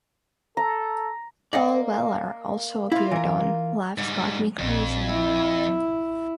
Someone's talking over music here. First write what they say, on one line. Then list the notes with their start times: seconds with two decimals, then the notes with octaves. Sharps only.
Paul Weller also appeared on "Love's Got Me Crazy".
0.57 A4 A#5
1.53 A#3 D5 D#5 F#5
2.92 A#3 E4 F4
3.11 E3 A#4
3.98 G#2 G3
4.59 A#1 F2
5.07 E4